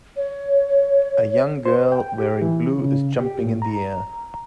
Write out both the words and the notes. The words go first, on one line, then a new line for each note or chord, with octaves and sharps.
A young girl wearing blue is jumping in the air.
C#5
C5
G5
G4
E3
C#3
G4
A2
A#5